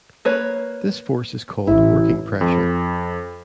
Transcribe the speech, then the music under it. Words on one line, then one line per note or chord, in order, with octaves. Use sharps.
This force is called working pressure.
A#3 B4 C#5
A1 E4
F2